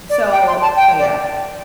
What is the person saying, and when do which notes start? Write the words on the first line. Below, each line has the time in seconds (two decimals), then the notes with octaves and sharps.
so so, yeah.
0.09 D5
0.32 G5
0.47 C6
0.61 A5
0.77 G5
0.98 D5